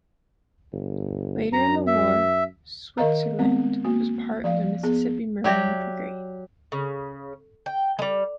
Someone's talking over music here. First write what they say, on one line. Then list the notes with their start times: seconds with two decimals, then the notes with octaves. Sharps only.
Later in the war, "Switzerland" was part of the Mississippi Marine Brigade.
0.73 G1
1.53 F#2 A#5
1.87 E5
2.98 D#3 A#4 D#5 F5 A#5
3.39 G#3 B3 C4
3.84 A#3 F#4
4.44 F3 D5 F5
4.83 B3 G#4
5.44 F#3 G4 C#5 D5 E5
6.72 C#3
7.66 G5
7.99 G3 G#3